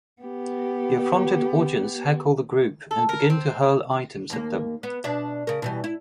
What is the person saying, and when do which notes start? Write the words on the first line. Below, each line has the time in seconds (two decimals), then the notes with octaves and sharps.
The affronted audience heckle the group, and begin to hurl items at them.
0.22 B3 G4
2.91 A4
3.09 A#4
3.30 C4
4.30 D#2 A#3
4.83 B3
5.04 B2 D4 E5
5.47 C#3 A#4
5.62 B2 E3 G3
5.84 E4